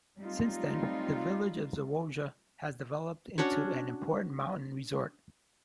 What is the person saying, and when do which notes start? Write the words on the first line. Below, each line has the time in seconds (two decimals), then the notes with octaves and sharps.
Since then the village of Zawoja has developed into an important mountain resort.
0.18 F#3 G3 A3 C4 D#4 F4
3.38 C#4 D4 F#4 C#5